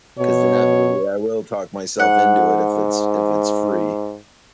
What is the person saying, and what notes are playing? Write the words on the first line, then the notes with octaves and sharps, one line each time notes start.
'cause inevitably, I will talk myself into it if it's if it's free.
B2 C#5
G#2 F#5